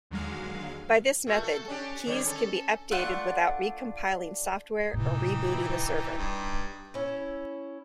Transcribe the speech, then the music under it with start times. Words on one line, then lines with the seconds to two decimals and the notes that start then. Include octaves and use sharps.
By this method keys can be updated without recompiling software or rebooting the server.
0.11 D#2 D3 F#3 G#3 F5
1.27 A#2 A3 F#4
1.43 A4
1.68 C#4 D4 G4
2.07 D3 G3 C#5
2.25 C#4 A4
2.91 A3 D4 F4 F#5
4.93 A2 C3 E3 D#4 G4
6.18 G2
6.94 C#4 E4